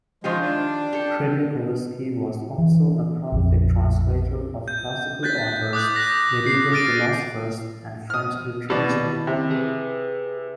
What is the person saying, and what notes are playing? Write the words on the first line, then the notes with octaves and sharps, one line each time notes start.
Trediakovsky was also a prolific translator of classical authors, medieval philosophers, and French literature.
D#3 F3 G#3 F4 G4
D4
G4 A4
E3
A#1 F2
G6
F#6 G6 A6 B6
D6 D#6 F#6 G6
F#6 A#6
C7
D6 F6 A6 D7 D#7
D#6 F6
B2 D#3 E4 G4 D5
C3
G#4 B4